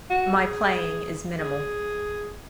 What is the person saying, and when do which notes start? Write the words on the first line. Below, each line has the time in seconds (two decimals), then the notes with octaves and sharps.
My playing is minimal.
0.10 F#4
0.36 G#4
1.39 G#4